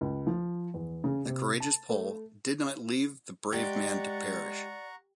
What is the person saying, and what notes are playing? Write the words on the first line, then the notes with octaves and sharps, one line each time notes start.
The courageous Pole did not leave the brave man to perish.
C#2
F3
E2
C#3
C3
A5
A3
G#3 G4 D5 F#5 A#5 C#6